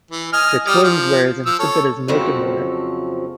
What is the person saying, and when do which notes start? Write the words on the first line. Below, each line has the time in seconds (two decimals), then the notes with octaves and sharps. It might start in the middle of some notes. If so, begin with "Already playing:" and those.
The twins were as insipid as milk and water.
0.11 E3
0.33 D#5 G#5 F6
0.66 G3 D#6 F6
0.84 F3
1.46 F3 E6
1.59 A4 C#5
2.08 F2 C#3 F3 F#3 C4 A4